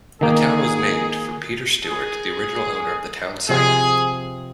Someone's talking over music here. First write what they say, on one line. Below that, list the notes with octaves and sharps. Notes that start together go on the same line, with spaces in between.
The town was named for Peter Stuart, the original owner of the town site.
D#3 A#3 D#4 G#4
G#4
C3 F3 C4 G#4